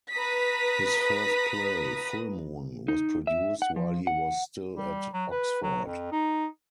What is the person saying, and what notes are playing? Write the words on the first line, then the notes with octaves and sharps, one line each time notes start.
His first play, "Full Moon", was produced while he was still at Oxford.
B4 A#5 D#6 B6
D#4
E5
F#5
F3
F#5
G3
F#3
B4
F#3
F2
D#4